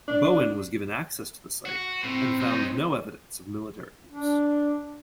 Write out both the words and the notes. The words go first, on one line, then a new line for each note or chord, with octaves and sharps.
Bowen was given access to the site and found no evidence of military use.
D4
F#4
A2 C4
F#3 D#4
D4